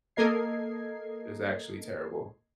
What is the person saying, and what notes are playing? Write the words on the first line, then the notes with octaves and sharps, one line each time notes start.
It was actually terrible.
A#3 A4 A#4 D#5 G#6 C7